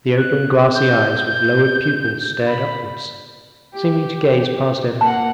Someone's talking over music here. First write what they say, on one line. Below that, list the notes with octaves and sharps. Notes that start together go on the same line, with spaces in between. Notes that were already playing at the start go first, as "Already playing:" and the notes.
The open glassy eyes with lowered pupils stared upwards, seeming to gaze past everything.
F#6
G6
B5
G4
A#3 F#5 A5